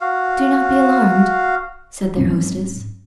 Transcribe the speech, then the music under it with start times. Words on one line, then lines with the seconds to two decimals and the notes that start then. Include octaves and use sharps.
"Do not be alarmed," said their hostess.
0.01 F#4 F5
2.17 G#2 F#3 C4 C#4